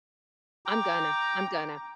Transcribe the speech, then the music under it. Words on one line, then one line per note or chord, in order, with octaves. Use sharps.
I'm gonna. I'm gonna.
G5 A#5 D6